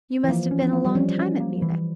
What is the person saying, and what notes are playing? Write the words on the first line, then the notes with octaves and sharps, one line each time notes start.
You must have been a long time at Munich.'
E3
F3 A#3
C#4
F3
A#3
G3
F3 C#4
C#4
A#3
E3